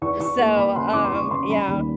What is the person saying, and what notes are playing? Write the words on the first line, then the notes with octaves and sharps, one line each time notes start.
So, um, yeah.
E2 C#6
E2 C#6
A#3
E2 B5
C#3 C6
E2 D6
C6
E2 C#6
C#3 C6
G3 B5
D#2